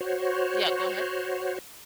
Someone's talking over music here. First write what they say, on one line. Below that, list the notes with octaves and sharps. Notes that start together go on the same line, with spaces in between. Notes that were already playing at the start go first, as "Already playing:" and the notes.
Yeah, go ahead.
F#4 C5 C#5